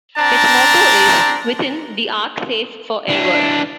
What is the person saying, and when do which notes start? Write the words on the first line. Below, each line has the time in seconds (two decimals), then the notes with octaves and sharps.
Its motto is "Within The Ark Safe For Ever".
0.17 C4 D4 A5 A#5
3.09 E3 D4